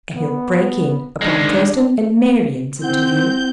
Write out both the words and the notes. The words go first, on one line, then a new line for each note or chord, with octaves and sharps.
And he'll break in upon Thurston and Marian's interview.
B3
D#3 G#3 D4
C4 E4 F#5 G6